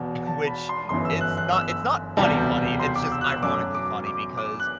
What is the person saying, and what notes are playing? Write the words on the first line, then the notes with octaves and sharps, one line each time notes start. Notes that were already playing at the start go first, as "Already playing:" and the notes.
which it's not it's not funny funny, it's just ironically funny, because
Already playing: E1 E2 B2
A5
B5
C6
G1 F#2 E3 C6
E6
F#6
F#6
E6
E1 D2 C3 E3 G3 A5
C6
D6
E6
F#6
E6
F#2 F#3 A3 D6
D6
D6
D6
F#6